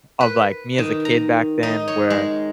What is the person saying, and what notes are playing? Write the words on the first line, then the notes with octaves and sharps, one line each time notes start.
of, like, me as a kid back then where
B4
D#3
A#5
D#4
C#5
G#3